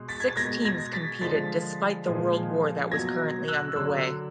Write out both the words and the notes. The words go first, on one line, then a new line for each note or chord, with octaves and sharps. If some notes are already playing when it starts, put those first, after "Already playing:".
Six teams competed despite the World War that was currently under way.
Already playing: B2 G#3
A6 B6
G#6
A6
B2 G#3 G#6 A#6
G#6 A#6
A6 B6
D3 F3 G#3 A6 B6
A#2 F3 G#3
B2 F#3 G#6 A#6
E6 F#6
D3 F#3 E6 F#6